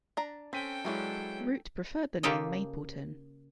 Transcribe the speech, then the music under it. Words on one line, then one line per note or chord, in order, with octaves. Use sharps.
Root preferred the name "Mapleton".
D4 A#5
C4 C#4 A4 G5 B6 D#7
E3 F#3 G#3 C#4 D4 E4
C#3 A#3 F4 G4 A4 D#5